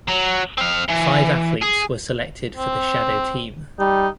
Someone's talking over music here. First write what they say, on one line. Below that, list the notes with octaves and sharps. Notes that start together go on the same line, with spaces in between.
Five athletes were selected for the shadow team.
F#3
C4 F5
E3
G#4
C4
G3 D#4